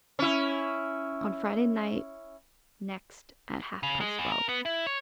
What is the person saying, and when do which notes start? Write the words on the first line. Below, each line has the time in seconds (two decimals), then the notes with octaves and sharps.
'On Friday night, next, at half-past twelve.'
0.19 C#4 E4
3.83 C#3
4.01 G#3
4.19 E2
4.32 A#4
4.49 B3
4.65 E4
4.87 C#5